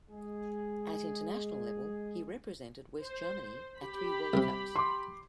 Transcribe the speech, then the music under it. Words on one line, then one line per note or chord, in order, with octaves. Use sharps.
At international level, he represented West Germany at three World Cups.
G#3 G#4
C5
G4 B5
C2 C3
C6 D6